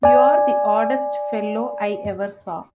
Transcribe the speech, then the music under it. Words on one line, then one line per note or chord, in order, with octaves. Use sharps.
You're the oddest fellow I ever saw.
D5 G#5